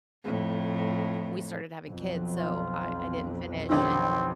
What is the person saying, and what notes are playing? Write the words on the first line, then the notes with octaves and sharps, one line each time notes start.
we started having kids, so I I didn't finish, and
F2 A2
B1 F2
F4
A1 D3 D#3 C4